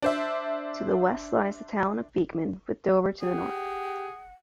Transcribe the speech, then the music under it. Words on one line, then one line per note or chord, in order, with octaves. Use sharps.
To the west lies the town of Beekman, with Dover to the north.
D4 C5 E5
G4 G#4 F#5